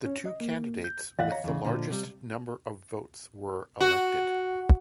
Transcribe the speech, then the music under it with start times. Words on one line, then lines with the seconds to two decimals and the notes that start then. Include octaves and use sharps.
The two candidates with the largest number of votes were elected.
0.06 C#4
0.25 D#5
0.41 A#3
0.84 G6
1.19 E2 D#5 F5 F#5
1.32 C#5 A#5
1.44 E2 C#3
1.65 A#2 D3 F3
1.90 C3 G3
3.80 F#4